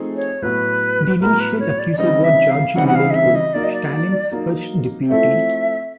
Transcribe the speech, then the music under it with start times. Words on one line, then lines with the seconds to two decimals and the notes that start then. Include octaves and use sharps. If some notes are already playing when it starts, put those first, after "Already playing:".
The initial accuser was Georgy Malenkov, Stalin's first deputy.
Already playing: F3 A3 C4 D#4 G#4
0.16 C#5
0.42 A2 F#3 B3 B4
1.20 A2 F#3 B3 A#4
1.40 B4
1.59 C#5
1.78 D5
1.92 D5
1.97 C#3 E3 G3 C4 D#4 D#5
2.24 E5
2.50 F5
2.76 C#3 E3 G3 C4 D#4 F#5
2.87 F#5
2.95 F5
3.10 D#5
3.15 E5
3.35 D#5
3.53 F#3 A#3 D#4 D5
3.63 D#5
3.73 D5
4.31 F#3 A#3 D#4
5.09 F3 A3 C4 E4 A4 E5